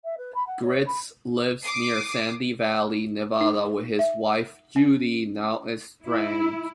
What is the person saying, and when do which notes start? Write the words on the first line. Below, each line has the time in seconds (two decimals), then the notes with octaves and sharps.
Gritz lives near Sandy Valley, Nevada, with his wife Judy, now estranged.
0.04 E5
0.17 B4
0.34 B5
0.47 F#5
0.62 C#5
0.87 B5
1.63 D6 D#6 C7
3.41 D#4
3.99 E5
4.76 C#4
6.05 E4